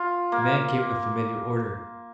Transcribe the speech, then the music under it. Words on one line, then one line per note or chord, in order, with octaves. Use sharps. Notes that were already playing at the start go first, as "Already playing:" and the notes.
Then came the familiar order.
Already playing: F4
A#3